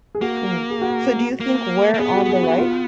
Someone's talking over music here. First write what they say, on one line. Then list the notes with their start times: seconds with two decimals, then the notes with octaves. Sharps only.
Mm. So, do you think we're on the right?
0.15 G#4
0.21 A#3 F#4
0.70 G#4
0.82 F#4
1.40 A#3
1.94 A#3
1.99 B3 G#4
2.14 F#4
2.29 G#4
2.43 F#4
2.58 F4